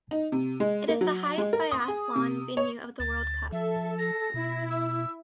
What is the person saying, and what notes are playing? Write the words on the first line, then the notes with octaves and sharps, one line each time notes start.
It is the highest biathlon venue of the World Cup.
D#4
C3
G#3
A#3
F#3
G#3
A#4
D#6
G#4
C3
C#5
D2 A6
F3 A4 E5
A#6
B2 E4
E6